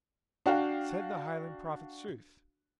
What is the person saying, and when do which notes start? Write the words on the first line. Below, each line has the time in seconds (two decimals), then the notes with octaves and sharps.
'Said the Highland prophet sooth?
0.46 D4 F#4 F5 G5